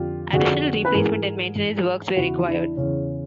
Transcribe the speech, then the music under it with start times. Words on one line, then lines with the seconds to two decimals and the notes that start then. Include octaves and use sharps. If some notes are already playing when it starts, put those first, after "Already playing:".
Additional replacement and maintenance works were required.
Already playing: F2 D3 F4 G4
0.33 F2 D3 F#4 G#4
0.85 B4
0.94 G#2 E3 G#4 A#4
1.55 G#2 E3
2.17 E2 C#3 E3 E4 F#4
2.47 D4 E4
2.77 E2 C#3 E3 C#4